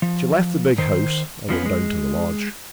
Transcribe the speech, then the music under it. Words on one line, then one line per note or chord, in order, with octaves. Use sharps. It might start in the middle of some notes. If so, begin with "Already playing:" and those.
She left the big house and went down to the lodge.
F3
D#3 C5
F2 F3 B3 C#4
G#3